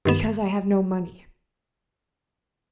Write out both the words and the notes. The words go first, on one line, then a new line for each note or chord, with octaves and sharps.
"Because I have no money."
G2 D#3 B3 E7